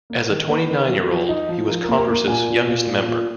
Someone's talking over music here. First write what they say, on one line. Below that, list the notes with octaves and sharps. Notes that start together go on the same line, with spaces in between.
As a twenty-nine-year-old, he was Congress's youngest member.
A#3
D#3
A#3 B4
D#3
F#3
F3
D#4
F3
F3 A#4
A#4
A#3
A#4
A#3 A#4
A#2 G#5
A#2
A#2
A#2
A#2